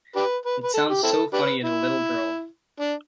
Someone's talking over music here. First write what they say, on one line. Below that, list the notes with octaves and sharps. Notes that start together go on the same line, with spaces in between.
It sounds so funny in a little girl.
D4 G4 B4
B4
B4
A4
G4
C4 E4 A4
D4 G4 B4
E4
D4